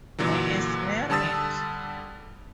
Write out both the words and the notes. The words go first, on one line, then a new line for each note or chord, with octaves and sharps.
He is married.
A#2 D3 E3 F#3
D3 G3 A5 D#6 E6 A6